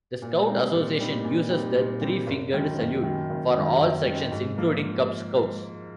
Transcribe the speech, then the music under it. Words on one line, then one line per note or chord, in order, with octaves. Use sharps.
The Scout Association uses the three-fingered salute for all sections, including Cub Scouts.
A#2
G3 C4 D#4
A#2
G3 C4 D#4
A#2
G3 C4 D#4
A#2
G3 C4 D#4
F#1
F#2 D#3
F#1
F#2 D#3
F#1
F#2 D#3
F#1
F#2 D#3
G#2
F3 A#3